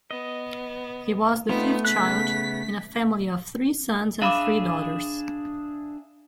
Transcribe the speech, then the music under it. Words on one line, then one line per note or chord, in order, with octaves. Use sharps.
He was the fifth child, in a family of three sons and three daughters.
B3 D#5
A3 B3 C4 D#4 F4
C#3 B3 F#6 B6
D4 G#4 E5 F5 B5 D6